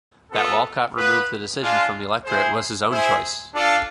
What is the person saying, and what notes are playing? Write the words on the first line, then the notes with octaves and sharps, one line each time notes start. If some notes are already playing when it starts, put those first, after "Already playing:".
That Walcott removed the decision from the electorate was his own choice.
B3 F4 A4
B3 F4 B4
G#3 D4 F4
E4 G#4 C5
E4 G#4 C5 E5
D4 F4 A4 D5 F5